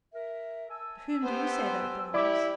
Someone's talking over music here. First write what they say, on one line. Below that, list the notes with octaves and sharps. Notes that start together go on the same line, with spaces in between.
"To whom do you say that it belongs?"
A#4 E5
G#5 A5 E6
B3 G4 C5
E4 G4 D5 D6